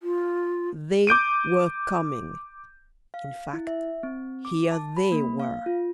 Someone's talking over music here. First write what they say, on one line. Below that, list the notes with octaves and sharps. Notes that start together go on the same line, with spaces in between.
"They" were coming--in fact, here "they" were!
F4
D6 G6 D7 D#7
F5
E4
E5
C4
D6
A5
B5
A#3
F5
F4